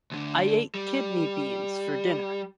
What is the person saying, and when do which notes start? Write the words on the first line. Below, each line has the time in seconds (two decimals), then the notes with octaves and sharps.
I ate Kidney beans for dinner.
0.11 D2 D3
0.75 G3